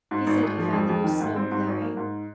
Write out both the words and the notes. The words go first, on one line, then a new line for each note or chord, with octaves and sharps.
He said he found the new snow glaring.
G#2
G#1
G#1
F3
F2
F2
D#3
G#2
C4
G#2
G#1
A#3
G#2